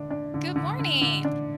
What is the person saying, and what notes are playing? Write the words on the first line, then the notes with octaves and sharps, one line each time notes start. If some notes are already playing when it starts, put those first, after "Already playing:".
Good morning.
Already playing: D3 D4
D4
D3
D3
D3
D3
D4